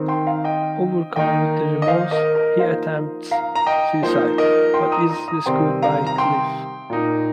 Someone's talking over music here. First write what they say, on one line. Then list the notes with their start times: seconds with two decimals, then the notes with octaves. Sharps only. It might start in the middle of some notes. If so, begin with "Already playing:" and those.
Overcome with remorse, he attempts suicide, but is rescued by Cliff.
Already playing: D#3 C4 D#4
0.08 G5 C6
0.27 F5 A#5
0.44 D#5 G5
1.16 D#3 A#3 D#4 D#5 G5
1.82 D#5
1.88 C5 F5
2.11 A#4 D#5
2.35 A#4 D#5
2.59 F3 A#3 D#4 C5 F5
3.31 F5 A#5
3.55 A#5
3.67 D#5 G5
4.02 F3 A#3 D#4 C5
4.38 A#4 D#5
4.74 G5 C6
4.92 A#5 D#6
5.10 A#5 D#6
5.28 A#5 D#6
5.46 C3 D#3 G3 C4 G5 C6
5.82 F5 A#5
6.07 A#5
6.18 G5 C6
6.90 A#2 A#3 D#4